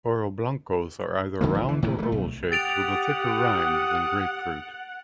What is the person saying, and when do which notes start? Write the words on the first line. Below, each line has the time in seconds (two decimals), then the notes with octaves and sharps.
Oroblancos are either round- or oval-shaped with a thicker rind than grapefruit.
1.41 A#1 D3 F3 A#3
1.54 G#1
1.68 E3
1.83 A2 D#3 E3
1.98 G3 A3
2.12 B1
2.52 G4 F#5 D#6 A6 D7 F7